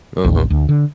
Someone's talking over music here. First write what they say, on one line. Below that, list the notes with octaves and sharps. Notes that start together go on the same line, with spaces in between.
Uh huh.
A1 D#2
D2
D3